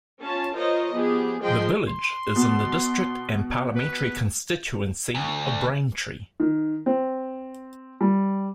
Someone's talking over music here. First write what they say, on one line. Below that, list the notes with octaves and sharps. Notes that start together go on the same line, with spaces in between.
The village is in the district and parliamentary constituency of Braintree.
C#4 F4 A5
F4 A#4 C5 C#5 D#5
F3 B3 G4 G#4
F3 G#3 D#5 G5 C6
C6
B2
B4
D2
D#3
C4
G3